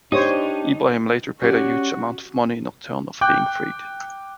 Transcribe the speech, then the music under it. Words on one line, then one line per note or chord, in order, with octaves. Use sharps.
Ibrahim later paid a huge amount of money in return of being freed.
D4 D#4 G4 C5 C#5 D#6
C#4 F#4 G4 D5
G5 D6 F#6 G6